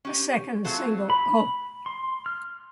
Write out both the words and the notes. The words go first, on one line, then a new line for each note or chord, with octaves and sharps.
A second single Oh!
C#4 G4
F#3 A3 C4 F4 F#4 G#4
B5
C6
F6